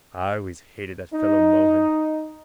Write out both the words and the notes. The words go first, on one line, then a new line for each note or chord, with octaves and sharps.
I always hated that fellow Mohun.
D#4